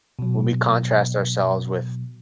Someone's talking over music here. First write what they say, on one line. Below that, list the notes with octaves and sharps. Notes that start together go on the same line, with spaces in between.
When we contrast ourselves with
B2 F#3